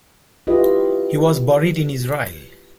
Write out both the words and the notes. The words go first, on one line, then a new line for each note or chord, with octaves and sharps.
He was buried in Israel.
E4 F4 G4 B4 D#5